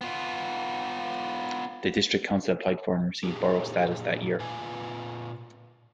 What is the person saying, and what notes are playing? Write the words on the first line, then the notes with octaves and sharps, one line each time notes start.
The district council applied for and received borough status that year.
B3 F4
A#2 D4 G4 G#4
A#2 F4 B4 G#5